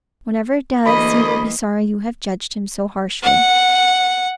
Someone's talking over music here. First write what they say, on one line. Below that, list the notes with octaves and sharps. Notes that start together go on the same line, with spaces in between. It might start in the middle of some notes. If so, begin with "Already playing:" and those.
'Whenever it does, you will be sorry you have judged him so harshly.'
D2 E3 A#3 D#5 B5
F#5